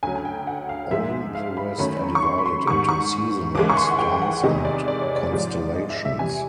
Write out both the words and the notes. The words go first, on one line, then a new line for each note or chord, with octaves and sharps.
All the rest are divided into seasonal stars and constellations.
D2 C#3 F#3 G#5
G#5
G5
F#5
F5
G#2 F3 G#3 E5
F5
B5
F#2 D#3 F#3 A3 B5
C#6
C6
B5
C6
G#2 D#3 G3 C#6
C#6
D#2 C#3 E3 G#3 D6
C#6
C6
F#5
G5
F#5
E2 C3 D#3 G#3 D#5
D5
D5
C#5
D5
G#2 F3 G#3
D#5
E5
E5
E2 C3 E3 G3 G#5